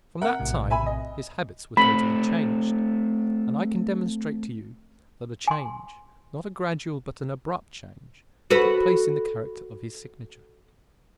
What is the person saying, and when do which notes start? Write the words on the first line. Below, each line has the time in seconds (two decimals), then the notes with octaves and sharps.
From that time his habits were totally changed, and I can demonstrate to you that a change--not a gradual, but an abrupt change--took place in the character of his signature.
0.21 A#4 E5 F#5
0.39 A#1 A2 C3
0.70 E5 G#5 B5
0.86 D#5
1.77 A3 C4 B5
5.48 G#5 C6
8.50 F#4 A4 B4